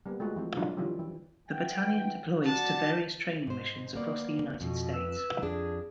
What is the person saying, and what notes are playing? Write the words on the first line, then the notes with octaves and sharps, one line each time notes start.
The battalion deployed to various training missions across the United States.
G3 A#3 B3
G#3 A3 F4 F#4
E3 F3 C4
D3 F#3 D4 D#4 F4 F#4
D#3 F3 G3 C#4 E4 F4
E3
E3 F#5 G5
F#4 D5 F#5 A5
G#2 C5
A#3 B3 D5
F2 B2
B4 E6
F2 D4 G#4